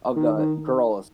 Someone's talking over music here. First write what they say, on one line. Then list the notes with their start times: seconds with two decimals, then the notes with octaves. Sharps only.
of the girls.
0.16 D#3
0.38 D#3